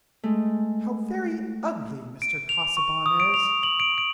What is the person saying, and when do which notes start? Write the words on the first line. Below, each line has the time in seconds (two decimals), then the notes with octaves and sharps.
"How very ugly Mr. Casaubon is!"
0.24 G#3 A3
2.22 D7
2.49 F7
2.77 C#6
3.06 D#6
3.20 D7
3.34 F7
3.63 F#7
3.80 D7
3.98 D7